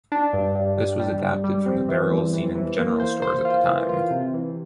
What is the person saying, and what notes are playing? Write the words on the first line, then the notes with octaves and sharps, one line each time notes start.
This was adapted from the barrels seen in general stores at the time.
D4
G2
G2
G3
G3
G2
G3
C4
E3
E2
E3
E3
A#3
C5
C5
F4
E3
F4
C3
E3